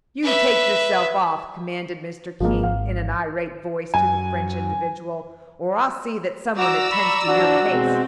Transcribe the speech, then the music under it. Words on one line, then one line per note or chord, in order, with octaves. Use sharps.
"You take yourself off," commanded Mr. King, in an irate voice to the French individual, "or I'll see that some one attends to your case."
B4 E5
G#1 F3 G#3 A#3
F5
F#2 G#5
F#4 D5 A#5 D6 E6
B5 C#6
E3 F3 D4 F#4
B2 G#3 C4